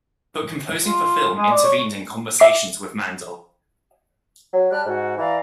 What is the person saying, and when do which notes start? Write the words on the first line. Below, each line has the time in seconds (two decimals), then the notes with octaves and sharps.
But composing for film intervened in conversations with Mandel.
0.86 F4
1.37 G#3
1.51 D5
1.64 C#5
2.39 E5 D6 C7 D7
4.53 F#3
4.72 G3 A5 F6 F#6
4.86 G#2 F#4
5.18 E3 D5 F5 A#5